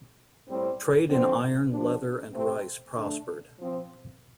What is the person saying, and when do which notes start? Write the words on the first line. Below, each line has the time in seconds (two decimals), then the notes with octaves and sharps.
Trade in iron, leather and rice prospered.
0.47 A2 G3 C4
1.09 D3 F3 C4
1.70 C3 F3 D4
2.33 C3 A3 C4
2.94 D3 A3 D4
3.57 F3 C4